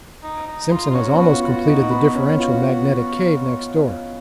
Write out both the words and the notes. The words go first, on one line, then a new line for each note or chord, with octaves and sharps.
Simpson has almost completed the differential magnetic cave next door.
D#4
D#4
F4
F4
C#4 F#4
B3
F#4
F4
F#4
F4
D#4
B3
C#4
F4 F#4